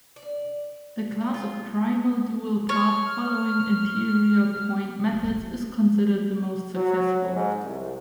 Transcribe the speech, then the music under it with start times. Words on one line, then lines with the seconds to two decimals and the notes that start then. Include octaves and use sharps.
The class of primal-dual path-following interior point methods is considered the most successful.
0.16 D5
1.34 F4
2.69 C#5 F6
6.74 F#3
7.35 G#2
7.64 C2